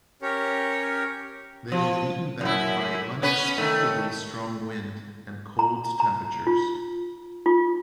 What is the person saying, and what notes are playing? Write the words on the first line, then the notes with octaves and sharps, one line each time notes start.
They were beaten back by unexpectedly strong wind and cold temperatures.
C#4 G4 A#4 C#5
F3
F#2 E4
B3 C#4 B4
D#3 A3
A#5
A#5
F4
F4